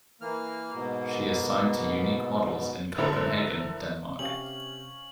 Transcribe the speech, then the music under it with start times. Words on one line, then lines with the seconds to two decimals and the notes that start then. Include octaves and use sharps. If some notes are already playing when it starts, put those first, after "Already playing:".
She is signed to Unique Models in Copenhagen, Denmark.
0.21 E3 A#3 F6
0.74 G#2 B2
2.98 D3 E4 A4 A#4 C5
4.19 C3 C#4 F5 F#7